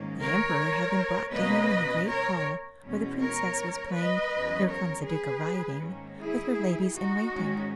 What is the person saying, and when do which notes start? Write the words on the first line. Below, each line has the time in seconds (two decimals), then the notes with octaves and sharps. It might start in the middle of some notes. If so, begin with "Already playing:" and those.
The Emperor had them brought to him in the great hall, where the Princess was playing 'Here comes a duke a-riding' with her ladies-in-waiting.
Already playing: G#2 D#3 A#3 C#4
0.21 A#4 C#5
1.33 B2 A#3 C#4 B4 D#5
2.09 A#4 C#5
2.83 E2 B2 G#3 C#4
3.20 A#4 C#5
3.95 B4 D#5
4.33 E2 C#3 F#3 C#4
4.70 A#4 C#5
5.07 G#4 B4
5.83 G#2 D#3 A#3 C#4
6.19 E4 G#4
6.94 D#4 F#4
7.32 G#2 D#3 G#3 C#4